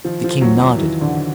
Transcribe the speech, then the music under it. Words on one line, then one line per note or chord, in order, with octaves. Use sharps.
The king nodded.
D#3 F3
F3
E2 F#3
F#3
D#3 E3
D3
D#3